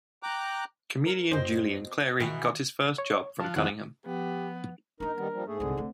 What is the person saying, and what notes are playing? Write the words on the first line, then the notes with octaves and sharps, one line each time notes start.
Comedian Julian Clary got his first job from Cunningham.
G5 A#5 D6 F#6
A#4
F#2 B2 C4 C5 D#5
G#2 B2 D#3 E3 G#4
C#5
F3 A5 F#6
F2 D#3 G#3 C4 E4 F#5
F3 B3 G4
A#3 D4 D#4 A#4
D#3 G3 B3
F3 G3
G#2 A3 G#4
C2 D3 C4
A3 C4